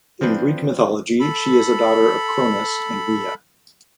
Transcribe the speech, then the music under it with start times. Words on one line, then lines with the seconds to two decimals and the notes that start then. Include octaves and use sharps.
In Greek mythology, she is a daughter of Cronus and Rhea.
0.21 F3 C4 D4 B4
1.20 A4 B5